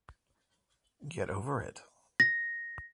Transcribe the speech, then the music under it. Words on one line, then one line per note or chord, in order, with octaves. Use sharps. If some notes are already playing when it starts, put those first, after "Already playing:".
Get over it.
A#6